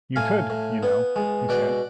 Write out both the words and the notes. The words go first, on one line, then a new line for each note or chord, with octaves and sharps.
"You could, you know," he said.
A2 F5 G#5
A2
B3
G#3
B2 D5 F#5